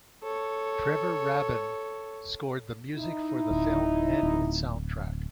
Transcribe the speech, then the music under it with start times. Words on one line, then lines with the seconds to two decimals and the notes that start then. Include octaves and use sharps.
Trevor Rabin scored the music for the film and its soundtrack.
0.23 A4 C#5
2.96 D#4 E4
3.51 D1
4.23 D1